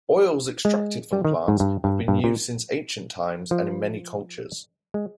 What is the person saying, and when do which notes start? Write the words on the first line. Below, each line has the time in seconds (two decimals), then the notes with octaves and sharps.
Oils extracted from plants have been used since ancient times and in many cultures.
0.65 G#3
1.13 G3
1.25 D#3
1.48 G#2
1.60 G2
1.84 G2
2.08 G2
2.24 A#2
3.51 F3
4.94 G#3